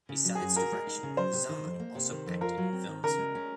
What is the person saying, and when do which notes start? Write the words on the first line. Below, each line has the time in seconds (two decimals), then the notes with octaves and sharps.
Besides direction Zaman also acted in films.
0.09 C#3
0.25 F#3
0.35 G#4
0.41 F#2
0.56 F#4 A#4
0.72 G#3
0.87 D#4
1.03 C#3
1.17 F#3 C5
1.33 C3
1.49 D#3
1.65 F2
1.80 A#3
1.95 C3
2.11 D#3
2.26 F2
2.41 F4 A#4
2.58 F#3
2.73 C4
2.88 D#3
3.03 C#3 A#4
3.18 G#3
3.35 C#4